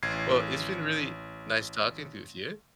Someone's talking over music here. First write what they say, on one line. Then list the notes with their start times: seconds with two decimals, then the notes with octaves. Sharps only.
Well, it's been really nice talking with you.
0.03 A1 G#6 C7